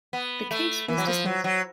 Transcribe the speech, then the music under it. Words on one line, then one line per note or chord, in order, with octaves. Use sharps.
The case was dismissed.
B3
A3
E3
F#3
F3
F#3
F#3